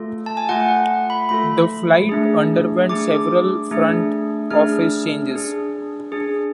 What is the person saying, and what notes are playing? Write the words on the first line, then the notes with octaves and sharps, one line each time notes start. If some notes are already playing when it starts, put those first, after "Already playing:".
The Flight underwent several front office changes.
Already playing: A3 F4 A4
A5
G#5
A3 F4 A4 F#5
F#5
B5
A3 F4 A4 B5
A3 D4 G#4
A3 D4 G#4 D6
A3 D4 G#4
A3 D4 G#4 F6
D4 G#4
D4 G#4